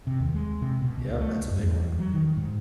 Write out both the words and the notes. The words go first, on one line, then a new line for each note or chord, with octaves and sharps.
Yep, that's a big one.
C3
D#2
G#3
C3
B2
C#2
A3
F#2
E2
F#3
D#3
G#2